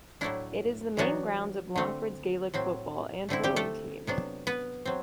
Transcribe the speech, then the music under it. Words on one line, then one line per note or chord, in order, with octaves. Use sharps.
It is the main grounds of Longford's Gaelic football and hurling teams.
A2 F#3 A3 D4 E4
E3 F#3 G3 B3 D4 F#4
D3 A3 C4
A2 F#3 C4
D3 A3 C4 E4
G3 G4
A3 A4
C3 F#3 B3 D4
B3 B4
F#3 C4